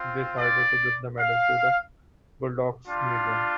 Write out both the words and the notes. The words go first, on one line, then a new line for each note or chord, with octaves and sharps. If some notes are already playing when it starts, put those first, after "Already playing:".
They decided to gift the medal to the Bulldogs museum.
Already playing: C4 F4
D5
F5
G3 D4 F4